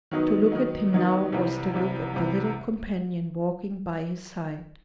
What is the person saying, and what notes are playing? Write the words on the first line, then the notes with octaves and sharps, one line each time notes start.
To look at him now was to look at the little companion walking by his side.
D#3 F#3 B3 D#4
D#3 F#3 B3 D#4
D#3 F#3 B3 D#4
C2 C3 E3 G3
C2 C3 E3 G3
C2 C3 E3 G3